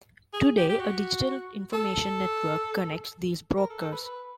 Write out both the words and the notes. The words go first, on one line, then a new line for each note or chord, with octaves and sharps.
Today, a digital information network connects these brokers.
G#4
G4
G4
F#4
A4
A#4
A4
A4
B4
B4